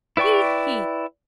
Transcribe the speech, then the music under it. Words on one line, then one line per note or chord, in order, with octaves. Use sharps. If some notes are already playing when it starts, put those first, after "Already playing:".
He! he!
E4 B4 D5 G5 C#6